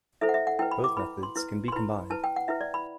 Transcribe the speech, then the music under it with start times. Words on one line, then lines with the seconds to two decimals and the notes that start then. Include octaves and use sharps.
Both methods can be combined.
0.21 E4 A4 C5 E5
0.29 F#5
0.34 E5
0.47 F#5
0.59 E4 B4 G5
0.71 B5
0.84 D6
0.97 E4 B4 B5
1.23 C6
1.36 E4 B4
1.68 C6
1.72 E4 B4 B5
2.10 E4 B4 A5
2.24 G5
2.36 F#5
2.48 E4 B4 E5
2.61 D5
2.74 B5